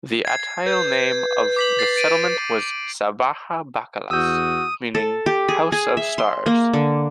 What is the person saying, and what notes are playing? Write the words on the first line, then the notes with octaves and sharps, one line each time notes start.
The Atayal name of the settlement was Sabaha Bakalas, meaning "house of stars".
G#6 C7
B4 G6
D6 B6 F#7
A6 B6 C7
A6 D7 D#7
E2 F#4 D#6 E6 G6
A4
G4
G#4
G#4
E5
C6
A#3
D3